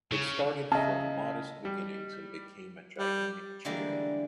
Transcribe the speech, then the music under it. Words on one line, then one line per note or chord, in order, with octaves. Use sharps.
"It started from modest beginnings and became a gigantic charity".
C#3
C#3 D#5 E5 A5
G3
G3
D3 E3 G3 G#3 A#3